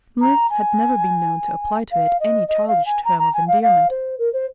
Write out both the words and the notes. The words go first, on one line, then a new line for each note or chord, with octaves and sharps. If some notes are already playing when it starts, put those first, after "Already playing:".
Mliss had never been known to apply to it any childish term of endearment.
A#5
G#5
F5
D#5
D#5
F5
G#5
A#5
A#5
G#5
F5
F5
C5
A#4
C5